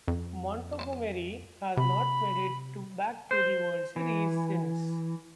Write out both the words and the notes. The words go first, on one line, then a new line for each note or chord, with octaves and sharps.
Montgomery has not made it back to the World Series since.
F2
C3 B5
C5
E3